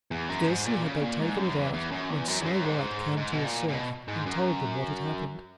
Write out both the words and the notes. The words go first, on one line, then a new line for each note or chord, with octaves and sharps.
Scarcely had they taken it out when Snow-white came to herself, and told them what had happened.
E2
F#2
G#2
A#2
C#3
A#2
G#2
F#2
E2
E2
F#2
E2
F#2
E2
F#2
G#2
G#2
B2
A#2
A#2
B2
G#2
F#2